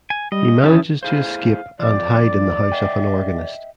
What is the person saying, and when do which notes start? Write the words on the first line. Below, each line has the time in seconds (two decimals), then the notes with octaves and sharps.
He manages to escape and hide in the house of an organist.
0.10 G#5
0.32 G3 D#5
0.64 D#3 C#4 E4 G4 A5 D#6
1.03 E4 G#4 C5 F5
1.79 F2 F3 D5
2.72 D#5 E5 G5